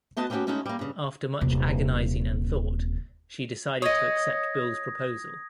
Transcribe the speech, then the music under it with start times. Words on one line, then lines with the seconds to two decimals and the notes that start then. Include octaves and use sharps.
After much agonising and thought, she decided to accept Bill's proposal.
0.17 A3 B3 F#4 D#5 A5
0.30 G3 A3 B3 C#4 F#4 G4
0.47 G#3 A3 C#4 D#4 E4 F#4
0.66 G3 A#3
0.79 G2 C#3
1.41 D#1 C3
3.82 C#5 D#5 D#6 G#6 A#6